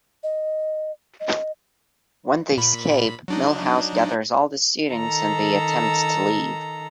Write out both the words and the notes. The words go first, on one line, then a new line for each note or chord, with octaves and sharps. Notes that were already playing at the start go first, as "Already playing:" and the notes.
When they escape, Milhouse gathers all the students and they attempt to leave.
D#5
D#5
A#2 B5
F#3 D4 D#4
D#3 A4 A#5